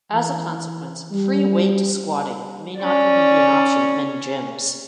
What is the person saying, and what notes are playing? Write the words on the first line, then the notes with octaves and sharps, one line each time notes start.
As a consequence, free-weight squatting may not even be an option at many gyms.
E3
G3
C#4 D5